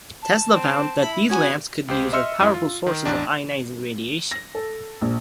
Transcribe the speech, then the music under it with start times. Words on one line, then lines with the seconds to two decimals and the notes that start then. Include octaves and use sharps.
Tesla found that these lamps could be used as powerful sources of ionizing radiation.
0.22 A5
0.53 C4
1.03 E4 B5
1.29 B3 C#4 F#4 G#5 G#6
1.88 C#2 G4 C5
2.13 D#5 E5 C6 E6 F6 C#7
2.40 F#2 E4
2.54 F4
2.86 D#3
3.05 A1 E2 D4
4.31 A#6
4.55 A4
5.01 A#1